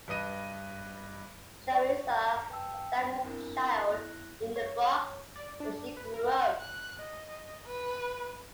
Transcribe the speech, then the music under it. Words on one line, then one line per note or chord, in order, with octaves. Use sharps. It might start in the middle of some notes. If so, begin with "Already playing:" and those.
Sharissa sang as a child in The Bronx where she grew up.
G2 B4 D#5 D#7
D5 C#6
B4 G5 A5 E6
F5 G5
B5 A#6
B3 C4 D4 E4 A#4
B3 E4 F#6 A#6
C#5
D5
D4
B4
A#4
F#6
D#5
B4